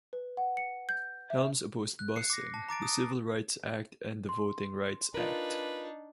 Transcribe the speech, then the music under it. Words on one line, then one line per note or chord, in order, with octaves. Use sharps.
Helms opposed busing, the Civil Rights Act and the Voting Rights Act.
B4
F#5
C#7
G6
E5
F#6
C7 C#7
D6 A#6
A5
A#5 D6 A6 D7
D#6
C6
D4 D#4 F4 A#4 B4